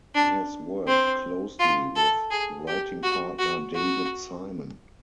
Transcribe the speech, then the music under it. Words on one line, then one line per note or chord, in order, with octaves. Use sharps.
He has worked closely with writing partner David Simon.
D4
C4
F4
A4
G#4
G4
F#4
F#4
F#4